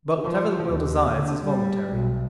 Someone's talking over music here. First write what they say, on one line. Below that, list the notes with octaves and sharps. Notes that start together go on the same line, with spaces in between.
But whatever the will desires is voluntary.
F3
D#2
D3
G3
B1